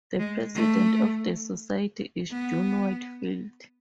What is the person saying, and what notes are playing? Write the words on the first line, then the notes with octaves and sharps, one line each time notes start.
The President of the Society is June Whitfield.
G#3
A3
B3